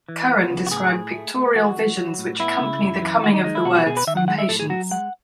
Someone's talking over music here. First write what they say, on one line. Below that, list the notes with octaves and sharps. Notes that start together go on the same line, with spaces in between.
Curran described pictorial visions which accompany the coming of the words from Patience.
E3
B3
C#3
F#4
A2 G#4
A2
A3
A3
E3 F#4
E3
F#3
A2
B3 E4
C#3
F#2
E3
D#3 F#4
D#4
G#3 D#4
E4
B2 F#4
F#4
B2 G#4
B4
D#3 E5
F#5
G#3 F#5
E5
A2 A4
G#4
F#3 F#4
G#3 F#5